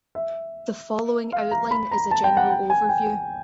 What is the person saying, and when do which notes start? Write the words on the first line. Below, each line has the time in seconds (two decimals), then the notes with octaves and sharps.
The following outline is a general overview.
0.15 E5
1.32 F5
1.51 A#5
1.71 B5
1.91 A#5
2.11 A5
2.24 G5
2.37 F#5
2.50 G5
2.70 G#5
2.89 G5